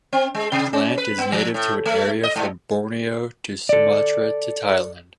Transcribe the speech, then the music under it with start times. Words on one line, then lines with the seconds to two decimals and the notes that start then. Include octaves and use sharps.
The plant is native to an area from Borneo to Sumatra to Thailand.
0.13 C4
0.34 G#3
0.52 C3
0.73 C#4
0.98 B4
1.18 B3
1.32 F3
1.54 A2
1.85 A3
2.23 D#5
2.36 G#2
3.69 A4 D5